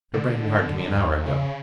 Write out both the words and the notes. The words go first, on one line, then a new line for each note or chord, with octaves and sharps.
"Mr. Brand wired to me an hour ago."
D3
D#2
C#3